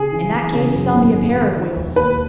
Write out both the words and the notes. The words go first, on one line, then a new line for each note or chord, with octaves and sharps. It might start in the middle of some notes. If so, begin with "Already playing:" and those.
"In that case, sell me a pair of wheels."
Already playing: C#3 G#4
E3
E3
C#3
F#2
G#1
D#3
D#3
D#3
E1
D#2 B4